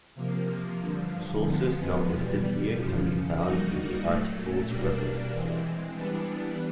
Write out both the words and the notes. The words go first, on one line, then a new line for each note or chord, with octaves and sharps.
Sources not listed here can be found in the articles referenced.
C3 F3 A#3
G2 D3 F3
F3 G#3 B3
E2 B2 G3
F#2 C#3 F3
G3 A#3 D#4 F#4
A#2 F#3 A3
B2 G3 A#3 D4
E3 G#3 C4
E3 G3 B3 D4